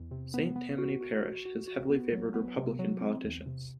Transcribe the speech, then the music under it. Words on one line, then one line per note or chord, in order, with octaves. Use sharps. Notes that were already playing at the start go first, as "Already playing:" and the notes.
Saint Tammany Parish has heavily favored Republican politicians.
Already playing: E2
C3
B3
B3
F#4
F#4
F#4
F#4
F#4
B3
F#3
B3
C3
F#3
C4
E2
C3